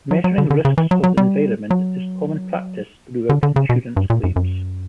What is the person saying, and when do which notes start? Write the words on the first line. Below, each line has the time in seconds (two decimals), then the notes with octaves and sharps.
Measuring risks of the environment is common practice throughout insurance claims.
0.11 F#3
0.24 F#3
0.38 D3
0.50 D3
0.65 C#3
0.78 E3
0.91 F#3
1.03 F#3
1.17 G3
1.70 F#3
3.29 D3
3.43 D3
3.56 C#3
3.69 B2
3.96 G2
4.10 A#2
4.24 F#2
4.36 F#2